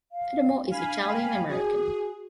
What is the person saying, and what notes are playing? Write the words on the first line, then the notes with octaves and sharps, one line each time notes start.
Adamo is Italian American.
F5
D4 F5 G#5 B5
G5
F#4 G#4